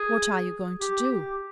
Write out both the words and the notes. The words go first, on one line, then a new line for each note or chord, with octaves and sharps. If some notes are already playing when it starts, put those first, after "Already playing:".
What are you going to do?
Already playing: G#4
G4
G4